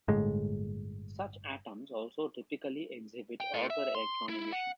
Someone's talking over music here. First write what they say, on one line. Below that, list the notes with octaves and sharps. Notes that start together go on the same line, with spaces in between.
Such atoms also typically exhibit Auger electron emission.
G1 A2 G#3
G5
A2
E5
C6
E4
F#5